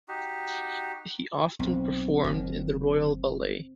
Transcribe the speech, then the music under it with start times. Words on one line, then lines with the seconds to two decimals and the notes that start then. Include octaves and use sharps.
He often performed in the royal ballet.
0.08 D#4 F#4 G4
1.59 B1 C4
2.24 F#1 D#3